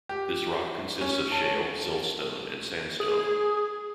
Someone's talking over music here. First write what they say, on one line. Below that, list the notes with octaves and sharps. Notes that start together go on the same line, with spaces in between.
This rock consists of shale, siltstone, and sandstone.
G4
C#4
A5
G#4